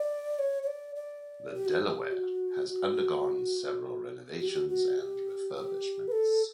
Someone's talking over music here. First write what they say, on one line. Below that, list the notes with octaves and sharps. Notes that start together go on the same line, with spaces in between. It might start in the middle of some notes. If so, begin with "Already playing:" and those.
The "Delaware" has undergone several renovations and refurbishments.
Already playing: D5
C#5
C#5
D5
D5
G4
F#4
G4
F#4
F#4
F#4
G4
F#4
F#4
G4
G4
B4
A4